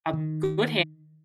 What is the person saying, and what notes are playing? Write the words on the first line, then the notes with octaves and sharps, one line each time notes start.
a good
D#3